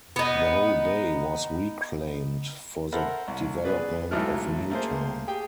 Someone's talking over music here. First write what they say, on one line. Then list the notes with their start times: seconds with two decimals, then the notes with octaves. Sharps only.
The whole bay was reclaimed for the development of new town.
0.16 B3 D#4
2.92 A4 A#4 C5 E5 F#5 B5
3.28 C2
3.64 B3 G#4 B4 D5
4.11 B1 G#2 F#3 A3 E4 F6
4.70 A3 A#3 G#4 C5
5.28 G4 G#4 G5